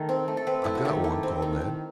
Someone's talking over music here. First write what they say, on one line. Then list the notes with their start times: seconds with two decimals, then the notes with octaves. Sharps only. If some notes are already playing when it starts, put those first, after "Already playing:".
"I've got one," called Ned.
Already playing: D#3 A3 A4
0.09 C4
0.28 A3
0.37 A4
0.47 C4 B4
0.64 A3 E4
0.75 F#4
0.85 D#3 G4
1.04 A3 E4
1.23 C4
1.42 D#3
1.61 D#3